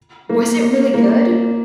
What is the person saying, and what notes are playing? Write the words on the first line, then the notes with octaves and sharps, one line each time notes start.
Was it really good?
A#3
A#3